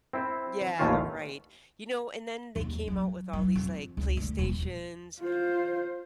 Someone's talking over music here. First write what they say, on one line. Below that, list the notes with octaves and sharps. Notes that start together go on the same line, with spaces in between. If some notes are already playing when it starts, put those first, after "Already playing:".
yeah, right, you know, and then they came out with all these like, PlayStations
C4 E4 C5
A1 D#2 A3 C#4 F4 F5
D#2
F#3
F#3
F2
C#2
D2
D#1
F4 C5